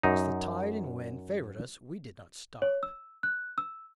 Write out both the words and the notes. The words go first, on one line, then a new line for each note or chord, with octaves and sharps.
As the tide and wind favored us, we did not stop.
F#2 D#4
C#5
E6
F#6
E6